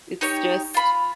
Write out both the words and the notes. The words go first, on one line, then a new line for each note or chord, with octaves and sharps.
it's just,
D#4 G4 C#5
F4 B5